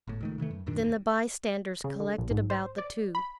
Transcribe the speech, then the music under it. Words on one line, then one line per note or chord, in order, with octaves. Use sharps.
Then the bystanders collected about the two.
G1 A2
C#2 D#3 A3
C3 D#3 E3 A3
F#2
F#2 A#2 D#3 D4
F#1 D#2
C#3
D3
A#1
G#2
C5
D5
B5